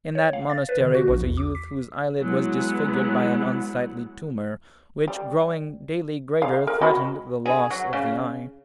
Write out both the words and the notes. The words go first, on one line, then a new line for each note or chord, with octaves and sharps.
In that monastery was a youth whose eyelid was disfigured by an unsightly tumour, which growing daily greater, threatened the loss of the eye.
C#5
F5
A6
B4
D3
F#4
A#1
E2
D6
B6
F#3 G#3 B3 E4 F#5
G3
F5
A#4
F#4 D#5 B5
G#4
F#3
C#3